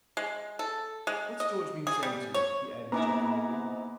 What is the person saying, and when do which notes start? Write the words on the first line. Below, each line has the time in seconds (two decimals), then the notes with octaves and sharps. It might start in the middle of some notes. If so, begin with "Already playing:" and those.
What's George been saying to you?' he added jocularly.
0.17 G#3
0.59 A4
1.07 G#3
1.40 D#5
1.87 G#4
2.03 G3
2.34 C#5
2.92 G#2 A#3 B3 D#4 E4 G#5 A#5 D6